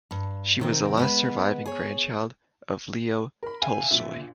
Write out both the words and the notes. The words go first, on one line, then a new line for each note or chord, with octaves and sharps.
She was the last surviving grandchild of Leo Tolstoy.
G2
C3 D#3 C4
G#3 B3 B4
G#4 C#5
A#4 B5
E5 F5 G5 G#5
A#1 F#2 A#2 E5